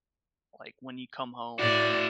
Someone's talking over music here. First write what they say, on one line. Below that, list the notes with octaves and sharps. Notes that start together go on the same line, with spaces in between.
like, when you come home,
A2 E4 F#4 D5